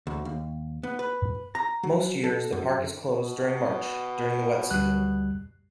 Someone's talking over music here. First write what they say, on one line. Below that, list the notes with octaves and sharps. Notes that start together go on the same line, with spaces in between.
Most years the park is closed during March, during the wet season.
D2
D#2
B3
B4
A#5
F#3
A4
F#2
B2
D2 G3 F#6